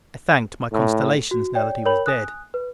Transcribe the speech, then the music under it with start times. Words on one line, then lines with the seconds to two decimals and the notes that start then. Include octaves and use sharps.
I thanked my constellations now that he was dead.
0.72 A2
1.31 F#4
1.55 C#5 D5 G5
1.85 A#4 C#5 G5 B5 F#7
2.06 G#5 D#6 F#6
2.54 B4